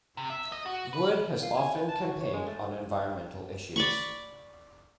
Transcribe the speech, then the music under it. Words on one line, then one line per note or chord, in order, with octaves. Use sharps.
Wood has often campaigned on environmental issues.
C3
E5
D#5
F#4
B4
F4
G#5
B4
A5
F#4
C#5
G#3
A3
D5 B5 C#6